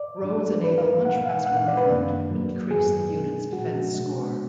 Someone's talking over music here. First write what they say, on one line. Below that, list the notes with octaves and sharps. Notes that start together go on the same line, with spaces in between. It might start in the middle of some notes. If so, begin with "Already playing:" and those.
Roads enable much faster movement, but decrease the unit's defense score.
Already playing: D5
G#2 F#3 D4
G#2 F3 G#3 B4
F5
B2 G#3 B3 D#4 F#5
F5
F5
A#2 G#3 B3 D4 F#5
F5
D5
B4
F#2 D#3 A#3 D4
G#2 F#3 A#3
F#2 D#3 F#3 B3 G#4
B2 G#3 D4
A#2 F3 G#3 F#4
B2 G#3 D4